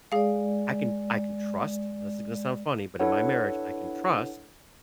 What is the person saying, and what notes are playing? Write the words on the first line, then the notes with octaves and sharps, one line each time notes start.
I can I can trust this is gonna sound funny, but in my marriage, I can trust
G#3 G#4 D5 F5
D4 E4 A4 B4 C#5 F#5